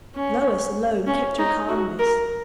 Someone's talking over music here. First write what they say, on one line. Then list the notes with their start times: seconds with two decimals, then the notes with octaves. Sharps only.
Lois alone kept her calmness.
0.16 C#4
1.07 C#4
1.38 D#4
1.68 F#4
1.99 A#4